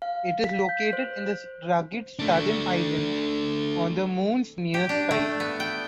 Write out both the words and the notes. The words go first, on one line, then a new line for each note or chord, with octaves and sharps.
It is located in the rugged southern highlands on the Moon's near side.
F5
B6
G6
C5
A3 D4
G4
D4
A3
B3
G5